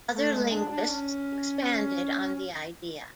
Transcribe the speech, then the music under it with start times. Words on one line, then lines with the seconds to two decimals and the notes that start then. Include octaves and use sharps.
Other linguists expanded on the idea.
0.14 A3
0.33 G#3
0.51 D4
0.70 D4
0.88 C#4